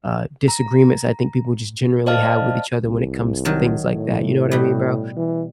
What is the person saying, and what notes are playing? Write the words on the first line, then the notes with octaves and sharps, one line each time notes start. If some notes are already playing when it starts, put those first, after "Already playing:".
uh, disagreements I think people just generally have with each other when it comes to things like that. You know what I mean, bro?
A#5
C5 D5 D#5 F5 A5 F6
C2
D#3 F#3 A5
A2
B2 G3
E3